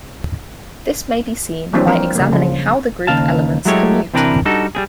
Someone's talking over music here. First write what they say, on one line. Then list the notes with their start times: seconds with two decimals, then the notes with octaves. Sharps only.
This may be seen by examining how the group elements commute.
1.73 E3 F#3 G3 A#3 C4 D4
1.87 F3 C4 A#4
2.15 C#3 G3 A#3
2.32 C#3 F3
3.07 D#2 C#3 F5 A5
3.65 F#3 G#3 A3 E4 G4 C#5
4.14 C3 E3 C4 D4 A#4 B4
4.45 G3 D4 D#4 F#4 A4
4.75 G3 C4 G#4